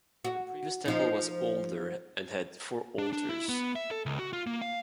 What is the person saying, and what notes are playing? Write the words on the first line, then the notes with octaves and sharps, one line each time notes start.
The previous temple was older and had four altars.
F#4
F3 D#4
D4
D4
E4
B3
E5
A4
C#2
F#4
F4
A#3
F5